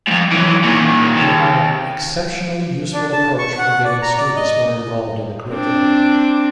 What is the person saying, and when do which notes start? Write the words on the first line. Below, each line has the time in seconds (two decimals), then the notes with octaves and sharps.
They are an exceptionally useful approach for getting students more involved in the curriculum.
0.08 F2 G#2
0.32 E3 F#3
0.64 A#2 D#3
1.17 D#2
2.92 D4
3.12 A5
3.38 C#6
3.58 F#5
3.85 D5
4.02 A#5
4.18 D5
4.36 D#5
5.49 C4 D4